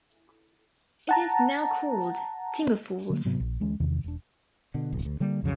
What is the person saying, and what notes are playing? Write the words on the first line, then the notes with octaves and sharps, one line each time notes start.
It is now called Timber Falls.
F#5 A5 A#5
D3 F#3 A#3
G#2 C3 F#3 B3
A#1
D2 E3 G#3 C#4
E2 C3 D#3
E1 D4
B2 D3
D1 B1
D2
D3 G3 A#3
C2 F2 C#3 F#3